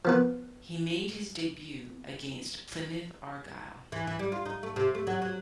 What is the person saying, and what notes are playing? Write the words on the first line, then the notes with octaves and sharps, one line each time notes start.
He made his debut against Plymouth Argyle.
F3 B3 B4
E3
E3
G3
F4
D#4
A3
C3
A3
F#3
F#3